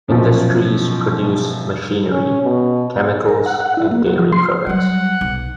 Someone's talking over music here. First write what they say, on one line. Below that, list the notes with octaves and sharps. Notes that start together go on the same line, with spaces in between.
Industries produce machinery, chemicals and dairy products.
F#2 B2 F3
C#4
B2
A#4
F#5
F#5
E4
A#3
F#4
F3
C6
F#3 G3 F#5
B1